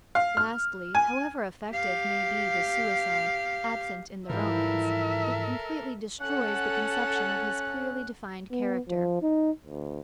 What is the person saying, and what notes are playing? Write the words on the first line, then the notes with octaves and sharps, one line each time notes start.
Lastly, however effective may be the suicide, absent in the romance, it completely destroys the conception of his clearly defined character.
F5
F6
G#5
G4 F5
G#2 E3 F3 G3 A4 A#4 E5
C#4 A4 F#5 F#6
B3
F3
D#4
D2